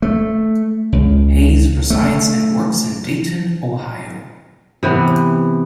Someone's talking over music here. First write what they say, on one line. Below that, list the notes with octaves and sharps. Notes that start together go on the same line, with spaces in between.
Hayes resides and works in Dayton, Ohio.
A3
C#2
A3
C3 E3 B3